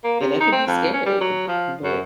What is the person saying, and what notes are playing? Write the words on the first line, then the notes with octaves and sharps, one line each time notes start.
and that could be scary, but,
A#3
C3
D#4
C4
F2
C#4
G3
F#3
F3
F#2